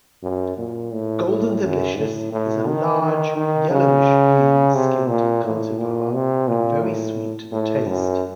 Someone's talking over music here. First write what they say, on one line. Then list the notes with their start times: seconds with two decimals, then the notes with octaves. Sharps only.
Golden Delicious is a large, yellowish-green skinned cultivar and very sweet to the taste.
0.23 F#2
0.58 A#2
0.93 A2
1.27 A2
1.62 F#2
1.98 A2
2.32 A2
2.67 D#3
3.02 D#3
3.37 D#3
3.70 C#3
4.75 C3
5.09 A#2
5.44 A2
5.78 A#2
6.14 C3
6.48 A#2
6.82 A2
7.52 A2
7.87 F#2